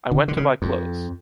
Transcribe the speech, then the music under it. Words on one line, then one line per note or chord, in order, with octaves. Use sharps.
I went to buy clothes.
D3
D3
C#3
F2